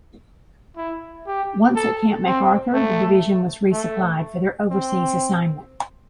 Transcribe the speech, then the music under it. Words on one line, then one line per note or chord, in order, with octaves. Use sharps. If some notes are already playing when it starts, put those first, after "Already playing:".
Once at Camp MacArthur, the division was resupplied for their overseas assignment.
E4
G4
A4
C4
A3
A3
C4